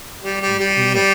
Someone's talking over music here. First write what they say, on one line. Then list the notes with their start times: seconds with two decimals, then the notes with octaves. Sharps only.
you can't
0.23 G3
0.41 G3
0.59 G3
0.94 G3